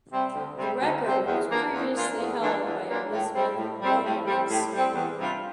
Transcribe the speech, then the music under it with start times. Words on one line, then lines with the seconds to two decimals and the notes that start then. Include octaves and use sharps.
The record was previously held by Elizabeth Williams.
0.11 C3 G3 C4
0.33 D2
0.57 C3 G3 C4
0.80 D2
1.03 C3 G3 C4
1.26 E2
1.49 E3 A#3 D4 F4
1.72 E2
1.95 E3 A#3 D4 F4
2.19 E2
2.41 E3 A#3 D4 F4
2.64 E2
2.88 E3 A#3 D4 F4
3.11 A2
3.34 G3 C4
3.56 A2
3.80 G3 C4
4.03 A2
4.26 G3 C4
4.49 A2
4.72 G3 C4
4.94 E2
5.18 C3 G3 D4 F4